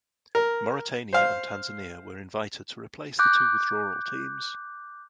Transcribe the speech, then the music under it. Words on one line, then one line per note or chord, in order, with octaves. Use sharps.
Mauritania and Tanzania were invited to replace the two withdrawal teams.
A#4
C5 F5
D6 F#6 G6